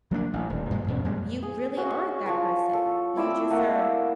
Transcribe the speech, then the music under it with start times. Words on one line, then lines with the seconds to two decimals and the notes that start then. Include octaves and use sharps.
you really aren't that person. You just are
0.11 F#3 A#3 B3 D4
0.33 A1
0.50 D#1
0.71 G2 A#2 G#3
0.88 E2 B2 C#4
1.04 F2 A#2 G3 G#3
1.42 G#4
1.77 C#4 F#4
2.26 F3 A5 C#6
2.73 A4
3.16 C4 E4 D5 E6
3.50 A3 A#3 F#5